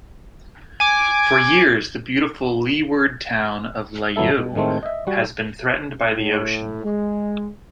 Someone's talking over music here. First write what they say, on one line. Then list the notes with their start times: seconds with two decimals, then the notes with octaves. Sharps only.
For years the beautiful Leeward town of Layou has been threatened by the ocean.
0.80 G#5 D6
4.16 G1 F#3 B3 E4 A4 E5
4.37 B2
4.55 A2 D#3 G#3 A3 C4
4.83 D#5 E5
5.07 G3 F#4
6.11 A2
6.84 G#3